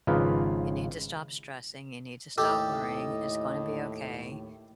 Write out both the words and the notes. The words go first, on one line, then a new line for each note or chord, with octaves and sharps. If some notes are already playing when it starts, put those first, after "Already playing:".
You need to stop stressing, you need to stop worrying. It's gonna be okay,
G#1 C#3 F3 D#4 F4 B4
D#2 A2 G4 A4 D#5